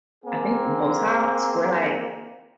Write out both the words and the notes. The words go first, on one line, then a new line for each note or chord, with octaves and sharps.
I think Botox or, like,
A#3 C4 G#4